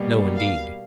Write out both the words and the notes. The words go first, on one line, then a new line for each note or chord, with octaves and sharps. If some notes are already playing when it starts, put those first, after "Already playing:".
No, indeed.
Already playing: B2 G3 A#3
F5